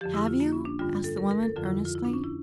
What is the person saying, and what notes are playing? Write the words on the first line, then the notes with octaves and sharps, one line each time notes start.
"Have you?" asked the woman, earnestly.
F2 D3 F3 G4
E4
F4
A#3
C#4
D4
G2 D3 G3 F4
A4
A#4
A#4
A4
F2 D3 F3 F4
E4
F4
E4
D4
C#4
E4